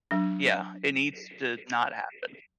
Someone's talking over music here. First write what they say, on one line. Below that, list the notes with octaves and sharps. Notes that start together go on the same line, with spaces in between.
yeah, it needs to not happen.
F#3 D4